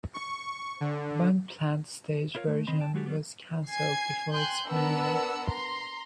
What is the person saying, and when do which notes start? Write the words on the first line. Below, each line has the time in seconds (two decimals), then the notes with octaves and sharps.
One planned stage version was canceled before its premiere.
0.14 C#6
0.81 D3
2.35 E4 F4 A#4 C#5 F5
2.47 A3
2.67 D#3 C4 D#5 B5 C6
2.80 G5 A5
2.93 F#3 G#3 F#4 G4 A4
3.06 F#3 G3 A3 B3 G4
3.67 G#5 G#6 C7
4.32 G5 G#5 C6 F#6 G6
4.68 B3 D4 A#4 F#5 E6
5.47 A#5 C6